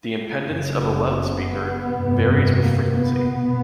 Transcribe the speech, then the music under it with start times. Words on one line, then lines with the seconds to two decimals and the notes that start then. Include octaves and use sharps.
The impedance of a loudspeaker varies with frequency.
0.46 F#1 F#2 C#3
1.18 B3
1.89 G1 F2 C3
2.60 A#3
2.96 B3
3.32 B2